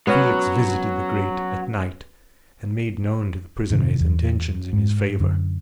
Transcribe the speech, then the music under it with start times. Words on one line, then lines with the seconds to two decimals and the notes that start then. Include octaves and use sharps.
Felix visited the grate at night and made known to the prisoner his intentions in his favour.
0.07 F#3 B3 C#4 F#4
3.70 G#2 C3 D#3
4.00 E2
4.73 G#2
5.20 F#2 D3